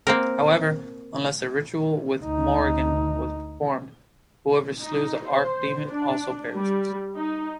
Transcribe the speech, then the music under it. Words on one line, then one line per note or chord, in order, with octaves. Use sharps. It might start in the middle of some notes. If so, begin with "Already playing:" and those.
However, unless the ritual with Morrigan was performed, whoever slews the Archdemon also perishes.
A#3 C4 A#4
D2 D#4
D#4
C5
D4
G3
D#4